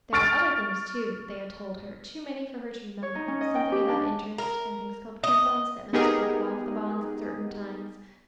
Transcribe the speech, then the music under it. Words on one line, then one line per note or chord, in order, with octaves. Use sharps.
There were other things, too, that they had told her--too many for her to remember--something about interest, and things called coupons that must be cut off the bonds at certain times.
C#6 F6 A6 D7
C#5
D#4
C#4
D#5
G5
G4
D4
A#4
D#5
B3 D#4 G4 G#4 A#4